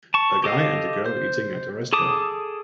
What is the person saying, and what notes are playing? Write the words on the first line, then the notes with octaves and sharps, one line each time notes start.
A guy and a girl eating at a restaurant.
A5 C#6
G4 A4 D#5 F5
C5
G#4 A4 A5 D6 D#6